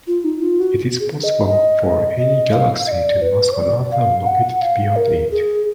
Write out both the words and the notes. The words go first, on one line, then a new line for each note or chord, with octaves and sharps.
It is possible for any galaxy to mask another located beyond it.
F4
D#4
F4
F#4
G#4
D#5
D#5
D#5
F5
D#5
D5
B4
D5
F5
F#5
F5
A#4
G#4